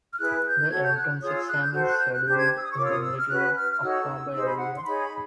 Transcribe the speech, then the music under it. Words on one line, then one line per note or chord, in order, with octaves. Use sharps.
The entrance exam is scheduled in the middle of October every year.
F6
E4 G#4 B4 F#6
G6
F#4 A4 C#5 G#6
G6
F#6
F4 G#4 C#5 D#6
E6
F#6
G6
F#4 A4 C5 G6
F#6
G6
F#6
D4 G4 C5 G6
G#6
E6
D#6
C#6
F4 A#4 C#5 D6
E6
D#6
E6
F6
C#4 F#4 B4 F#6
F6
F6
D#4 F#4 A4 C#5 E6
D#4 G#4 C5 E6
B5
F#5
C6
D#4 G#4 C#5 B5